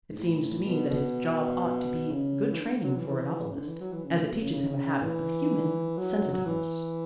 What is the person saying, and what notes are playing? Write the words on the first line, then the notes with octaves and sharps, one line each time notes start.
It seems to me that his job ought to be good training for a novelist, as it teaches him a habit of human sensitiveness.
G#2
A2
A2
B2
B2
C#3
E3
D3
F#3
E3
E3
C#3
D3
E3
F#3
E3
C#3
A2
B2
C#3
C#3
E3
F#3
F#3
E3